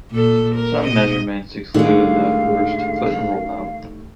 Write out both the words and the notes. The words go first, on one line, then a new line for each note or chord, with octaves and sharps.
Some measurements exclude the first foot-rollout.
A#2 A4
A#4
B2 D#5
A2 D3 D#3 G3 G#3 F5